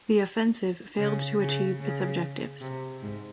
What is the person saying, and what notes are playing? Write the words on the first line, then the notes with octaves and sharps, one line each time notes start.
The offensive failed to achieve its objectives.
C#3
C#3
C#3
C3
G#2